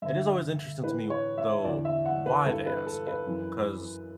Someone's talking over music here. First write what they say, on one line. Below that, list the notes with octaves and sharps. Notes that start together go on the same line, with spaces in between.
It is always interesting to me, though, why they ask it, 'cause
G2 D3 E5
A2 E3 B4
C#5
E5
E2 D3 D5
E5
F#5
B4
G2 E3 A4
B4
A4
B4
F#2 E3